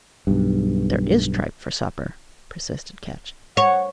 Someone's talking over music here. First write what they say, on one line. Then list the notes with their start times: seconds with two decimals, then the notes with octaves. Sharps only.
"There is tripe for supper," persisted Ketch.
0.27 B1 G2
3.57 C#5 F#5